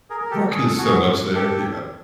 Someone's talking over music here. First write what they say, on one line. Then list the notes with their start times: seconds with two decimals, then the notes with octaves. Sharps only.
Right 'cause there's so much there, yeah.
0.10 G#4 A#4
0.21 A#4
0.31 G4 A4
0.51 G#4
0.65 A4
0.78 F#4 G#4
1.35 G4 A4